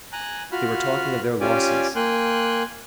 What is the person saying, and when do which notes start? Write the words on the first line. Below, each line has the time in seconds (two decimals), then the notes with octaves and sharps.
They were talking of their losses.
0.13 G#5 A#5 F#6
0.52 F4 F#4 B5 F6
1.40 C#4 F4 G4 D5 G#5
1.95 A#3 G5 G#5 C6 F#6